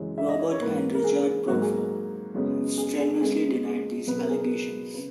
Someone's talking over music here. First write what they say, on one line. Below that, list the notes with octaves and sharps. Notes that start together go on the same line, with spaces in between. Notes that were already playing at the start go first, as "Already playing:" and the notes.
Robert and Richard Bropho have strenuously denied these allegations.
Already playing: F#2 C#3 E3 G#3
E5
D#5
C#5
C#5
G#2 E3 A#3 B4
A#4
G#4
G#2 F#3 A#3 F#4
G#4
F#2 C#3 G#3 B3
G#4
G#4
C#2 C#3 G#3 B3 G#4
G#4
B2 F#3 B3 B4
A#4
G#4
A#4
C#3 B4